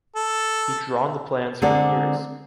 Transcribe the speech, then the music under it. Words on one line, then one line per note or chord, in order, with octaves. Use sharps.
He drawn the plans for years.
A4
D3 G#3 C4 A4 A#4 D5